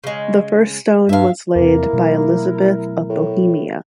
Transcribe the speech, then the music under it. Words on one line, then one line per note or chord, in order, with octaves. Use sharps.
The first stone was laid by Elizabeth of Bohemia.
C#3 G#3
G2 E5 F5
E2 C3 A#3 E4 A#4
B2 F#3 A3
A2